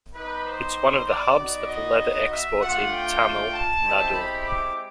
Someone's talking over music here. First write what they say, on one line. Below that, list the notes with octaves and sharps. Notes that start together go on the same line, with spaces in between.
It's one of the hubs of Leather exports in Tamil Nadu.
G3 B3 D#4 B4
C5
D5
B3 D#4 F#4
D#5
E5
A3 D4 F4 F#5
G5
A5
G#3 C4 E4 G4
B5
D6